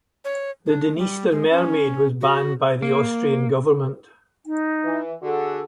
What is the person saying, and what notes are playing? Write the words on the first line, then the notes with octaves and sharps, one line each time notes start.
The "Dniester Mermaid" was banned by the Austrian government.
C#5
D4
G3
G#3
C#4
F#4
A#3
D#4
E3
D3 F#4 G#4 A4